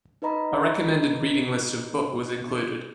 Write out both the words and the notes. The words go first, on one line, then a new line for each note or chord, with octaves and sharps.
A recommended reading list of book was included.
D#4 B4 D#5 A#5 B5